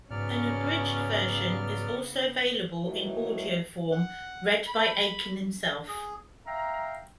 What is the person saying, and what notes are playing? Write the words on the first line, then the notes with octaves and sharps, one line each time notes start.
An abridged version is also available in audio form read by Aiken himself.
G#2 C#3 F#3 B3 C#4 D5 F6
D#3 E3 F#3 A3 A#4 C#5
F#5
B5
G#4
E5 F5 G5 A#5